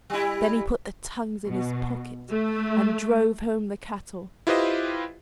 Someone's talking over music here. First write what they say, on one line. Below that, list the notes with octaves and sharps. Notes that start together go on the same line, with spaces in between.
Then he put the tongues in his pocket and drove home the cattle.
G3 E4
B2
A3
E4 F4 G4 B4 C5 D#5